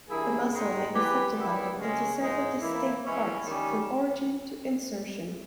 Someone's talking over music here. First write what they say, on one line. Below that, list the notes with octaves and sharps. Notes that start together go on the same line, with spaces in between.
The muscle may be subdivided into several distinct parts from origin to insertion.
G2 E3 A#3 E4 G#4
G#2 D#3 G#3 D#4
E3 G#3 B3 G4 B4
D#3 G3 B3 E4
C#3 G#3 C#4
G#2 E3 G#3 D#4
E3 A#3 E4
E3 G#3 C#4 E4
D#3 G3 C#4